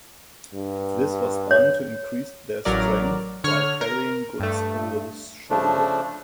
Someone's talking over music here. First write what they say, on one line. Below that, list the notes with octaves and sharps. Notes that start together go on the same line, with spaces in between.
This was done to increase their strength while carrying goods over the shoulder.
G2
C#5
A1 F#3 A#4 D5
D3 C#5 F6
A#4
G2 A3
C#3 F3 A3 D4